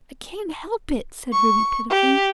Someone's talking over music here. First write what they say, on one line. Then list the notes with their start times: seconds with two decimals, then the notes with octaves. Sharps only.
"I can't help it," said Ruby pitifully.
1.32 C#6
1.90 G4